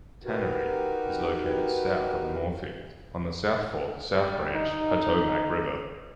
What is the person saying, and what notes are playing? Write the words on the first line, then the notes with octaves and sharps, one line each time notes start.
Tannery is located south of Moorefield on the South Fork South Branch Potomac River.
D#4 F#4 G4 A#4 B4
G3
D#4